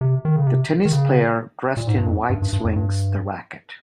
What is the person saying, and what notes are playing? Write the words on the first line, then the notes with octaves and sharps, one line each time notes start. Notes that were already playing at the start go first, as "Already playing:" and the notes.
The tennis player dressed in white swings the racket.
C3
D#3
C#3
C3
D#3
C#3
A#2
G#2
G2
F2
G2
G2
G2
F2
G2